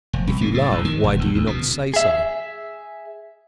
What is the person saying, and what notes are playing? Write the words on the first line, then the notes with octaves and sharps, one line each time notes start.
If you love, why do you not say so?
F1
C2
A#2
A2
E2
D#3
E1
D2
D2
B2
G#4 E5